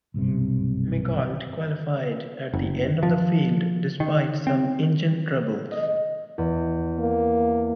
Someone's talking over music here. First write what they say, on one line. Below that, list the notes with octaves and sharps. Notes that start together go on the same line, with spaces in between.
Migault qualified at the end of the field despite some engine troubles.
F#1 B1 G2 C3
F#1
F3
D#3
C4
D#5
E2
A#3